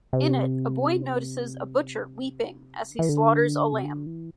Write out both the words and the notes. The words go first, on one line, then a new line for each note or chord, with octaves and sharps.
In it a boy notices a butcher weeping as he slaughters a lamb.
C3
D3
E3
D3
C3
D3
E3